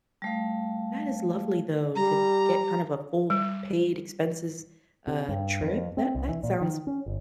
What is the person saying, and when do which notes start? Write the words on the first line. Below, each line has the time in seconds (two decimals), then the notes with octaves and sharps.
That is lovely, though, to get kind of a full paid expenses uh, trip, that that sounds
0.22 G3 A3 F5
1.96 G3 A#5
3.30 G3
5.07 C3
5.29 G2
5.61 F2
5.97 C4
6.15 C2
6.29 E3
6.43 A#2
6.61 D#3
6.87 C#4
7.06 G1